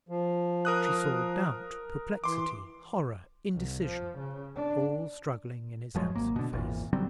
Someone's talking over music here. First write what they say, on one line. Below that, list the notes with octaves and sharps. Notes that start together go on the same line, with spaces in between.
She saw doubt, perplexity, horror, indecision, all struggling in his handsome face.
F3
A#4 D#6 F#6
E3 C6 D6
C2
F3
C#3
D4
F1 F3 F#3 G#3
G#1 A#3
B2 D3
G#1 E2 A#2
D3 F#3 G3 C4